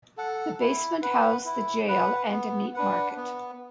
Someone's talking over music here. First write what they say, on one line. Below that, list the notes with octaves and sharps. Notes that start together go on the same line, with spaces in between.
The basement housed the jail and a meat market.
A4 F#5
E4
B4 F#5
E4
B4 F#5
B3
D4 B4 F#5
B3